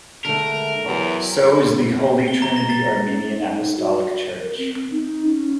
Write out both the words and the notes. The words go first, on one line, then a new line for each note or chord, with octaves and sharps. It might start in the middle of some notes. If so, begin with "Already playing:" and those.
So is the Holy Trinity Armenian Apostolic Church.
D3 G#3 A3 A#4
E2 F#3 G4
G7
A#5
A#6
A6
C#4
D#4
F#4
A#4
C4
D#4
C#4